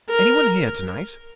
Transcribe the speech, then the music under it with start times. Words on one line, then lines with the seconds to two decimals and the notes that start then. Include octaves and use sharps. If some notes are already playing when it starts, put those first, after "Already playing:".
"Any one here to-night?"
0.10 A#4